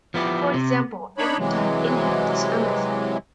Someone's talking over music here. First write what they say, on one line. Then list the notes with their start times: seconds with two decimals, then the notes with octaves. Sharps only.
For example, every type inherits a method.
0.14 F3 B3 E4 G4
0.54 C3
1.18 D4 D#4 C#5 B5
1.38 C3 E3 F#3 G#3